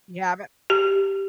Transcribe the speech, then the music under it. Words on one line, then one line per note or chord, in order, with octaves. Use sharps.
You haven't?
G4